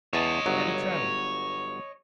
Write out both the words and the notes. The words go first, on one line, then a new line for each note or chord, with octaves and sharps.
Had he travelled?
E2 C#5 D#5 A5
G1 F#3